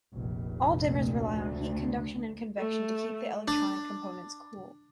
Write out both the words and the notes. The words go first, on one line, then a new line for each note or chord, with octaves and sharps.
All dimmers rely on heat conduction and convection to keep the electronic components cool.
F1 A#1
D2
A3
D4